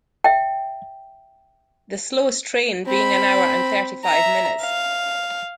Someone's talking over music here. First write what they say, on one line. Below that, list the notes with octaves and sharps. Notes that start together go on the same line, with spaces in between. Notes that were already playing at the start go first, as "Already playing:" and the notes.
The slowest train being an hour and thirty-five minutes.
E5 G5
C4 B5
E5 A#5
F5